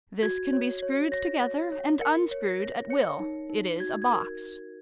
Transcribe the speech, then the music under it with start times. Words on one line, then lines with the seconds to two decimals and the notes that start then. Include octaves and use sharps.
This can be screwed together and unscrewed at will; it is a box.
0.23 F#4 G#6
0.53 C#5
0.82 C#5
1.12 C#5 A#6
1.42 C#5
1.72 C#5
2.01 A#4 C#7
2.31 C#5
2.46 A#6
2.60 C#5
2.90 C#5 C#7
3.20 D#4
3.49 D#4
3.80 F#4 G#6
4.02 G#6
4.09 A#4